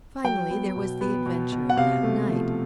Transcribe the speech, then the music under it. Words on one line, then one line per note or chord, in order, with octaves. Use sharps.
Finally, there was the adventure of that night.
F#3 G5
B3
B2
B3
B2
B2
F#5
C3 F5
A3
F3